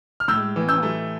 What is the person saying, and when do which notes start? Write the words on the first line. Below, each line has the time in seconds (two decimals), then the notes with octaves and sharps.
I know.
0.20 F6
0.28 A2 E6 G6
0.56 E3
0.69 E6 G6
0.83 A3